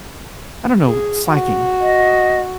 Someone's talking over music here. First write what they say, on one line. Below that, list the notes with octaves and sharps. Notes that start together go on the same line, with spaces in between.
I don't know, slacking,
G#4
F#4
D#5